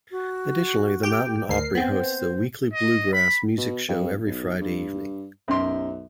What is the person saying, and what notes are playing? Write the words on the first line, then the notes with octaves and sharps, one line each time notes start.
Additionally, the Mountain Opry hosts a weekly bluegrass music show every Friday evening.
F#4
G4 G5
D2 A#4 C7
B3 C4 C5
D#5
B5
B2
F2
B1
G2
B1 F#2 C6